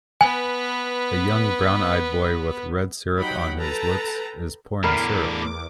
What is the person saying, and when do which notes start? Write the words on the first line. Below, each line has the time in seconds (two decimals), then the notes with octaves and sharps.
A young brown eyed boy with red syrup on his lips is pouring syrup.
0.21 B3 B4 G#5
3.17 F#3 G3 D#4 F#5 G5 B5
3.59 A4 B4 G5 A5 A#5
4.84 E2 A2 D3 A#4 B5 D6 F6